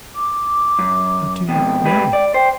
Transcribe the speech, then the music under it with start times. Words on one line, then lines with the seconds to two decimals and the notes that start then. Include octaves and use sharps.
"I do not know."
0.16 D6
0.79 F#2
1.49 F2 G#2 B2 G5
1.85 G#2 G4 B4
2.13 D5
2.34 C5 G5